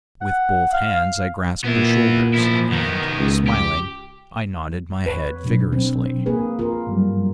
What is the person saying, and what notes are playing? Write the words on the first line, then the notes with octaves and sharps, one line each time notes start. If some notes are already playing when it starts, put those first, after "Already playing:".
With both hands I grasped her shoulders, and, smiling, I nodded my head vigorously.
F#5
F5
A#2 B3 E4
F3 E4
D#3 B3
C#2
G4
B4 C#5
B2 F#3 D4
C4
A#3 G#4 B4
F4 A#4
G2 F#3 G3